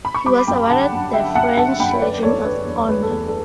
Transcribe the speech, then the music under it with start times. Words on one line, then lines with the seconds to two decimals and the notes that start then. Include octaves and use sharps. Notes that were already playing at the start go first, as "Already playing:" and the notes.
He was awarded the French Legion of Honour.
0.05 B5
0.15 C#6
0.26 G3 B5 D6
0.47 F#2 G5 B5
0.70 D3 F#5 A5
0.92 F#2
1.13 G3 E5 G5
1.35 F#2 F#5 A5
1.57 D3 F#5 A5
1.79 F#2 G5 B5
1.94 C#5
2.01 A3 B4 D5
2.23 E2 A4 C#5
2.45 D3 B4
2.66 E2
2.88 A3 B4
3.02 A4
3.10 E2
3.28 A4